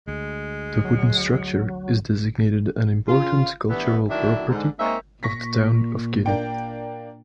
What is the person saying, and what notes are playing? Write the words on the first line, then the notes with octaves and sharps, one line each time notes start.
The wooden structure is designated an important cultural property by the Town of Kin.
D2 G#3
F#3
C#3 F4
G2 E3 G3 A3 B3
D2 D#3 F#3 D4 E4 E5
G#2 D3
G#3 A#3 C4 D#4 C#5 E5
A#2 C#6 A#6 B6
A#3 D4 G5